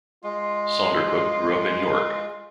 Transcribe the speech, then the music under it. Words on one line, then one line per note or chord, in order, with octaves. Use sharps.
Saundercook grew up in York.
G#3 F4